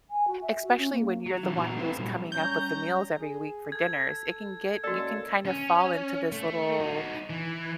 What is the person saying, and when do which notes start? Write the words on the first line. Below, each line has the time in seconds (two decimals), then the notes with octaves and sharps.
especially when you're the one who's coming up with the meals every week for dinners, it can get you can kind of fall into this little
0.10 G#5
0.28 F#4
0.42 E5
0.64 F#4
0.78 C#4
0.92 A#3
1.26 F#3
1.43 D3 E3 F#3 C4 E4
1.56 A#2 C#3 B3 D#4 F#4 A#4
1.77 A3 C4 D#4 B4 C5
1.98 A#2 F#3 G3
2.32 G3 C#4 A#5 G6
3.20 G#4
3.72 A4 G#6
4.84 C#3 G#3 A#3 F#4 A4 D5
5.46 C#4
6.32 A3
6.80 D#4 F#4
7.30 E3